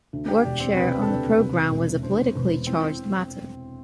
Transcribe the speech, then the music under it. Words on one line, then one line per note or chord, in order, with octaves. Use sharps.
Workshare on the programme was a politically charged matter.
D2
G4
E1 D4
C4
C3 B4
A4
D2 B4
C3
E1
D2 C5
E1 B4
C4 E4